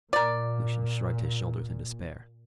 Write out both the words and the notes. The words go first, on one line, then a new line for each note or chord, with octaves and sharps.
Lucian shrugged his shoulders in despair.
A#2 A#4 D5